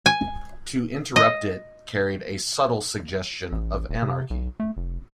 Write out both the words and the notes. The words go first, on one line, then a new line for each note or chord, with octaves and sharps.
To interrupt it carried a subtle suggestion of anarchy.
G#5
D#5
A1
D#1
C3
B1
A3
F1